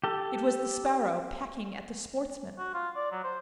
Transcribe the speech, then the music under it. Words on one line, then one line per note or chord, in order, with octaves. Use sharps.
It was the sparrow pecking at the sportsmen.
G4 A4
F#4
F4
D5
F#3
C5